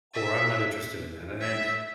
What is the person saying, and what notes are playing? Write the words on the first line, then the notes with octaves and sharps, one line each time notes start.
or I'm not interested in that, a and
E5
E5